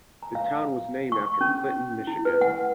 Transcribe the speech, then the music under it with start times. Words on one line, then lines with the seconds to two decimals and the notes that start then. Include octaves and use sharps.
The town was named after Clinton, Michigan.
0.23 A#5
0.35 F5
1.12 C#6
1.41 C#4
2.07 E4
2.25 B4
2.41 F#5